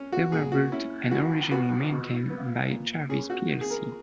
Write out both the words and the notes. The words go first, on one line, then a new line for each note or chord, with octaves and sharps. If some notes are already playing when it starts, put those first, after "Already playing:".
They were built and originally maintained by Jarvis plc.
Already playing: C#4
F#4
A#2 G#4
F#4
C#4 E4
E3 F#4
B3 F#4
B2
B3
A#2
C#4 G#4
F#4
D#3
G#4
A#4